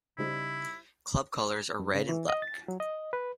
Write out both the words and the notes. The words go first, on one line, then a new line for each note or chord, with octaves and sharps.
Club colours are red and black.
C#3 G3 D#4 E4 C5
F#2
C#3
E3
D#5
A6
F#3
D#5
B4